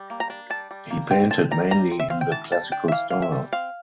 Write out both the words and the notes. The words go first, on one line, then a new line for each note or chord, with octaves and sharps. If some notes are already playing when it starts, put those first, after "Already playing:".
He painted mainly in the Classical style.
Already playing: G3
A#3
A#5
D4
G3 A5
G3
A#3
C4 G5
C4 A5
G3 A#5
G3 A#5
C4
E5
C4 F5
G5
E3 A5
G3 A5
D4 G5
E5
E3 F5
E3 F5
E5
G3
C4 F5